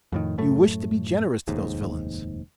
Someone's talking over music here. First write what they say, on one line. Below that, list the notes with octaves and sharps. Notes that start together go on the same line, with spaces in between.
You wish to be generous to those villains!
F2 A2 D#3
F#2 A2 A3
F1 D#2 G#2